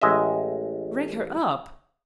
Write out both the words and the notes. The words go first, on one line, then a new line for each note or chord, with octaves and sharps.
"Rang her up?"
A1 G#3 D#5 E5